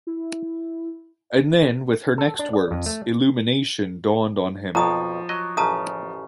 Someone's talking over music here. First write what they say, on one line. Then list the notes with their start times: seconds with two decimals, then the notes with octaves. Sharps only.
And then, with her next words, illumination dawned on him.
0.07 E4
2.18 A4
2.39 D4
2.53 D5
2.71 F2
2.86 A3
4.75 B1 F2 B2 F3 A#5 D#6
5.29 F#3 D#5
5.57 A1 F#2 C#3 A5 A#5 D#6